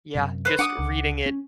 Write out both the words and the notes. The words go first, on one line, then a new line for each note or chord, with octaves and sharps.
Yeah. Just reading it,
F#2 C3
B4 C5
D4 F#5 D6 D#6
C#2
C#4